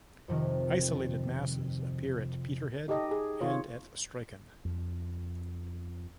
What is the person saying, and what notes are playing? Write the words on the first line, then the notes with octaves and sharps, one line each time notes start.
Isolated masses appear at Peterhead and at Strichen.
F2 C3 D#3
D#4 G4 A4 D#5
G#4
D#3 F4 C#5
F2